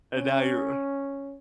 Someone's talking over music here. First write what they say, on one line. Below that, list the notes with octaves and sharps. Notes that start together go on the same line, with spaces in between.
and now you're
C#4